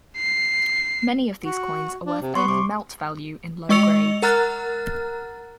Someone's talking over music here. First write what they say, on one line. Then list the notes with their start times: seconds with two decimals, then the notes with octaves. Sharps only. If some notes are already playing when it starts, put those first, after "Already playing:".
Many of these coins are worth only melt value in low grades.
0.17 C7
1.44 F#4
2.06 D4
2.22 C3
2.35 B3 C6 C#6
2.48 C3 D6
3.69 G#3 D#5 C#6 E6 C#7 F7
4.22 A#4 F#5 A#5 F6 F#6 A6